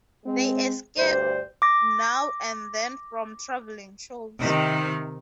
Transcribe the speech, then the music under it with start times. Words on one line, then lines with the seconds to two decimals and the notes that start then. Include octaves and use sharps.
They escape now and then from travelling shows.
0.25 G#3 C4
0.98 D2 G2 C5 D5
1.62 D6 A#6
4.41 C3 D#3